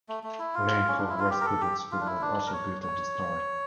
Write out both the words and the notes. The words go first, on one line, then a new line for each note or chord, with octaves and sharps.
Lane Cove West Public School was also built at this time.
A3
A3
E4
F4
C#4
D4
E4
F4
G4
A#4
A4
G4
F4
D4
E4
D4
A#4
C#5
C#5